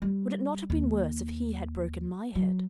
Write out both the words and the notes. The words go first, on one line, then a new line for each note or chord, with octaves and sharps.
Would it not have been worse if he had broken my head?
G3
D#2
F#3